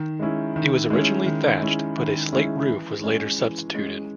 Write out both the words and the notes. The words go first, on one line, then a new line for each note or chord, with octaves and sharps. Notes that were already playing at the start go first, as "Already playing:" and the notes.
It was originally thatched, but a slate roof was later substituted.
Already playing: D#3
G#3 C#4 E4
D#3
G#3 C#4 E4
D#3
G#3 C#4 E4
D#3
G#3 C#4 E4
E3
G#3 C#4
E3
G#3 C#4